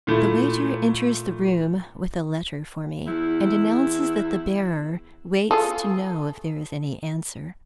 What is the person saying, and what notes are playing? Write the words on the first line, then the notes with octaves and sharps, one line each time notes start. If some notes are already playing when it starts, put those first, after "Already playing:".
The waiter enters the room with a letter for me, and announces that the bearer waits to know if there is any answer.
A#2 A3 E4
E2 E4
F4 G#4 A4